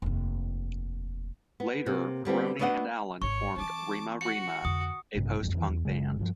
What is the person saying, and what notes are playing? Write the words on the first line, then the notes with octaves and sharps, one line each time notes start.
Later, Pirroni and Allen formed Rema-Rema, a post-punk band.
F1 D#2
B3
C3 A#3
D3 G3 B3 C4
A3 B3 D4 D#5 E5 F#5
G#1 C#5 C#6
E3 C4 A5 D6
F#4 C#7
F2 D3 D#6
A1 G2 C3
F#1 B1 F2 G#2
F2 D#3 E3
E2
F#1 C#2 C#3 G#3
G2 C#3 F3